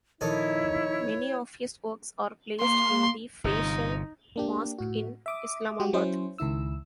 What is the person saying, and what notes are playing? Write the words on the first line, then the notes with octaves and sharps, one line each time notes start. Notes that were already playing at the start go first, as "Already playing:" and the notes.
Many of his works are placed in the Faisal Mosque in Islamabad.
A#1 D#3 D#4 E4 A4 C#5
A#3 C6
G1 C3 D#4
A#3 D4 G4
A2 F#4
E5 D6 D#6
G#3 F#4 G4
F#3 C#4 E4 C5
C#2 D#3 E4 E6